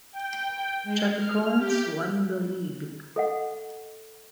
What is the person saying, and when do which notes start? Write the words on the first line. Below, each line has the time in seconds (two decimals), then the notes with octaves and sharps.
Chapecoense won the league.
0.12 G5
0.51 G5
0.83 G#3
1.14 F6
1.57 G4
3.16 A4 D#5 F#5